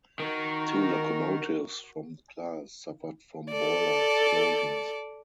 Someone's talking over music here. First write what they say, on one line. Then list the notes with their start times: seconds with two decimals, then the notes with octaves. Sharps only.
Two locomotives from the class suffered from boiler explosions.
0.20 D#3 F#4 A#4
3.51 A4 D5